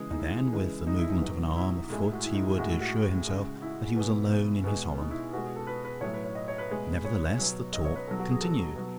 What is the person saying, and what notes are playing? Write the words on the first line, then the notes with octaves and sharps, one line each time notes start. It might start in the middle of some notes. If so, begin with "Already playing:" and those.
And then, with the movement of an arm, a foot, he would assure himself that he was alone in his holland. Nevertheless, the talk continued.
Already playing: C#3 E3 G#3 G#4
D#4
E4
C#3 E3 G#3
D#4
E4
D#4
B2 F#3
E4
A2 G#3
F#4
E4
D#4
E4
A2 G#3 F#4
E4
F#4
C#3 G#3
E4
B2 G#3
B2 G#3
D#4
E4
B2 G#3 F#4
G#4
A4
B4
B4
A2 F#3 C#5
B4
C#5
D#5
C#5
B4
B2 G#3
C#5
B2 F#3
D#5
C#5
B4
B2 F#3 A4
F#4
G#4
A4
B2 F#3